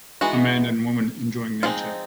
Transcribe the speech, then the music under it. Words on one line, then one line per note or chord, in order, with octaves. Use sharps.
A man and a woman enjoying nature.
E3 G#3 B3 D#4 F#4
F3 G#3 C4 D#4 F4